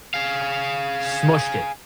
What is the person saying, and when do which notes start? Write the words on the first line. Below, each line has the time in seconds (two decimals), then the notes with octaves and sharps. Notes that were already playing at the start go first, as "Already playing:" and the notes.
smooshed it,
0.14 G#4 F5